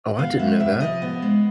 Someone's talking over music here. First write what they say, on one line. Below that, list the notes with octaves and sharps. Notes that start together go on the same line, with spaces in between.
Oh, I didn't know that.
B3 F5
G#3 E5
C3 E5
F3 D#5
B3
G#3